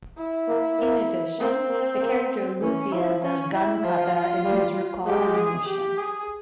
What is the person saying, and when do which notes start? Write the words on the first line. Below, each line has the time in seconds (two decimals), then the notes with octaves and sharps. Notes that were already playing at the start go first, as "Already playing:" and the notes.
In addition, the character Lucian does Gun Kata in his recall animation.
0.18 E4
0.48 A#3
0.79 A#3
1.40 A#3 C4
1.70 A#3
2.01 A#3
2.62 E3 C#4
2.92 F3 E4
3.23 C#4
3.53 E4
3.84 F3 F4
4.45 G3
5.06 G#3 G4
5.36 G#4
5.68 G4
5.97 G#4